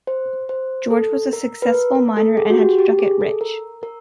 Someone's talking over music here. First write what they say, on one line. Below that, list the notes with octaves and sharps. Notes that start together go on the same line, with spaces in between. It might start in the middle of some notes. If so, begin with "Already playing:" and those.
George was a successful miner and had struck it rich.
C5
C5
A4
A#4
B4
A#4
A#4
A4
G#4
F#4
G4
G4
G#4
A4
A#4
A#4